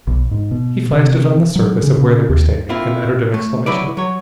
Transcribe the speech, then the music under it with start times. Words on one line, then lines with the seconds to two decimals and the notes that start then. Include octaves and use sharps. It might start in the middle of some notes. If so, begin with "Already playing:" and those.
He flashed it on the surface of where they were standing, and uttered an exclamation.
0.07 B1
0.31 G#2
0.51 B2
0.92 C3
1.56 F#3
1.83 C#3
1.98 C#3
2.29 D#2
2.69 A#3 C4 E4 F4
3.34 A3
3.66 F#3 E4 B4 D5
3.97 F#3 C#5